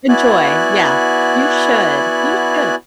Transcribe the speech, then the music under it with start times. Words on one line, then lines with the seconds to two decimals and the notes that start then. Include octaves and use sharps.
Enjoy, yeah. You should, you should.
0.09 B3 E4 F#4 D5 G#5 F#6